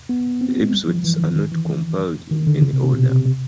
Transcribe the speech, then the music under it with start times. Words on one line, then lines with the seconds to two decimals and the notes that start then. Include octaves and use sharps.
The episodes are not compiled in any order.
0.09 B3
0.41 C4
0.63 G#3
0.72 G3
0.88 F3
1.04 E3
1.20 D#3
1.36 D#3
1.52 E3
2.31 D#3
2.47 D3
2.62 C#3
2.73 C3
2.83 C3
2.94 B2
3.10 C3
3.26 C3